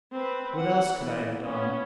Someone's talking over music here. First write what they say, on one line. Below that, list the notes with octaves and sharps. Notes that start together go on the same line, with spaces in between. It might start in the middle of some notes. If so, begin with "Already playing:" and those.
What else could I have done?
C4 B4
F#5
E3 B3
B3 C#4